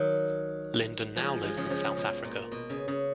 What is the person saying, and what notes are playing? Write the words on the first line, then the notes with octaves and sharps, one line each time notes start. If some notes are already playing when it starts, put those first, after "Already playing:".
Lyndon now lives in South Africa.
Already playing: D#3 F#3
F3 G#3
F3 G#3
C#3 F3
C#3 F3
C#3
B2
A#2
B2
C#3
C#3